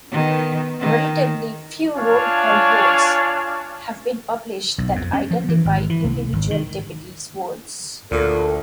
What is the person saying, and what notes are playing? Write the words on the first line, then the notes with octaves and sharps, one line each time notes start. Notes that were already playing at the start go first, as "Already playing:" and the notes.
Relatively few roll call votes have been published that identify individual deputies' votes.
D#3 B3
D#3
D4 F4 C#5 F5 G#5
B1
F2
C#4
F3
E3
G#1
E3
C2
G#1
D#3
D2 A#2 A4